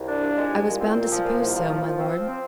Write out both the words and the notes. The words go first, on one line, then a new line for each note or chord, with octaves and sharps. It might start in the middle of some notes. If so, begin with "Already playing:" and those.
"I was bound to suppose so, my lord."
Already playing: C2
D4
A#2
G#3
C2
A#2
C4
A#2
F3
A#2
C2
F3
F3
F3
C4
F3
C4